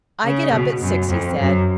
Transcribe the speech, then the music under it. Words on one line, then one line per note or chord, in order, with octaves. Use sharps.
"I get up at six," he said.
C#3
B2
F#2
F2
F#2